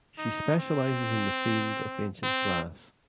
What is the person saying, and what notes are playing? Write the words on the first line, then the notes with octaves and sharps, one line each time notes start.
She specializes in the field of ancient glass.
D#4
C4
C4